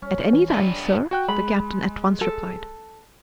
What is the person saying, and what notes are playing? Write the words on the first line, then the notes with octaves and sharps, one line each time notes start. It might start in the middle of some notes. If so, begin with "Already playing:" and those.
"At any time, sir," the Captain at once replied.
G3 C#4
E3
G2 B3 D5
F#4 G5 F#6
G#3 B5
A4